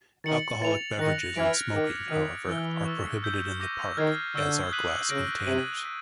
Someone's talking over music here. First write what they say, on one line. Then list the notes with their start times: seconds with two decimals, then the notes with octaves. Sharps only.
Alcoholic beverages and smoking, however, are prohibited in the park, as are glass containers.
0.24 D#3 A6 C#7 F#7
0.61 E3 A6 C#7 F7
0.99 D#3 F#6 A#6 C#7
1.36 E3 F6 G#6 B6 D7
1.73 D#3 D6 F6 A#6
2.10 D#3 D#6 F#6 B6
2.48 E3 E6 A6 D7 G7
2.85 C#6 E6 A6
3.23 E6 G6 B6
3.60 D6 G6 A#6 D#7
3.97 D#3 F6 G#6 C7
4.35 D3 C#6 E6 G6
4.72 D#6 F#6 B6 D#7 F#7
5.09 C#3 F6 A#6 D7 F#7
5.46 C3 G#6 B6 D#7 F#7
5.84 F#6 B6